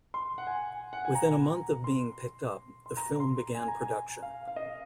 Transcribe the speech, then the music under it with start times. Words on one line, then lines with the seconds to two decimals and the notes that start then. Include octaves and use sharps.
Within a month of being picked up, the film began production.
0.14 C6
0.38 F#5
0.47 G#5
0.93 F#5
1.05 G#5
1.15 A#5
1.84 C6
2.86 C6
2.97 A#5
3.20 C6
3.55 G#5
3.68 A#5
3.81 G#5
4.22 F5
4.48 F5
4.56 D#5